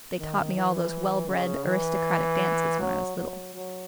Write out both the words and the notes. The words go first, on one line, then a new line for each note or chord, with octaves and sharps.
"They taught me all those well-bred, aristocratic dances when I was little...."
D#3
E3
C#3
E3
F#3
F#3
F#3